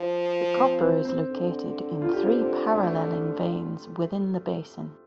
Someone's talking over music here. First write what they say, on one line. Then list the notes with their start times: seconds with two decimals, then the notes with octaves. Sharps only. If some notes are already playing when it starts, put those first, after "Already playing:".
The copper is located in three paralleling veins within the basin.
Already playing: F3
0.57 C4
0.81 C4
1.05 C4
1.30 D3
2.02 F4
2.13 G4
2.23 C4 F4
2.39 C4
2.75 A3